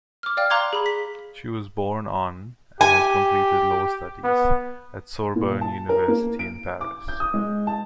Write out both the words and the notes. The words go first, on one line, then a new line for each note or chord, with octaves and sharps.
She was born on, and has completed law studies at Sorbonne university in Paris.
D6 F6
D5 F5 G5 F6
F5 A#5 C6 D6 F#6 G#6
G#4 B5
B6
G4 G#5
B3
A#2
A5
A#4
A#3
D7
D6
G6
D#6
G#3
A5